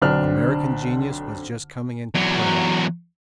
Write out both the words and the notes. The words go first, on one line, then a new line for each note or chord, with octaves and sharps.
American genius was just coming into play.
B1 D3 C4 D4 F6
E2 F#3